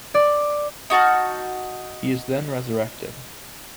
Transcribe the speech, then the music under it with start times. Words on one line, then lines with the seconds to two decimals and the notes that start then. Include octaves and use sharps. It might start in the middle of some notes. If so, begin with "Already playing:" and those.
He is then resurrected.
0.14 D5
0.90 D#4 F#4 A5 F6